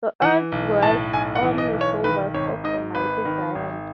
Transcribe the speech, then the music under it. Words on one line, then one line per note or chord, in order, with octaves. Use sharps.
The earth rests on the shoulders of a mighty giant.
E3 F#5
B1
A2 A5
B1 G#5
F#5
E3
D#5
B1
C#5
D#3 B4
G#1 C#5
G#2 D#5
G#1 B4
D#3
G#1